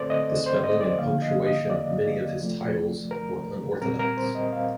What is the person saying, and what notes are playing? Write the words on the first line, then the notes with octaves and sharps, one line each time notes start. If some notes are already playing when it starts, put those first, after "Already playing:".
The spelling and punctuation of many of his titles were unorthodox.
Already playing: D3 A3 C4 A4 C5 D5
D#5
C5
D#5
D5
D3 F3 A#3 F5
D#5
D#5
D5
C3 F3 A3
A#4
A#2 G3 C4 A#4
A#4
C5
D#5
F5